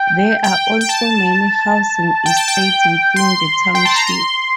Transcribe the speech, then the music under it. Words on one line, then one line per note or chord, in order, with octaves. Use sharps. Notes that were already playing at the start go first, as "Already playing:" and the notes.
There are also many housing estates within the township.
Already playing: G5
G5
G5
A5
G5
A5
G5
C6
G5
A5
A#5
C6